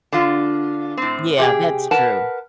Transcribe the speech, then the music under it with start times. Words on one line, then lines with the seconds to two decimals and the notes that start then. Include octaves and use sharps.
Yeah. That's true.
0.12 D3 F4
0.97 A2 C4
1.38 C3 G4 G#4 G5
1.91 A#4 B4 F#5 A5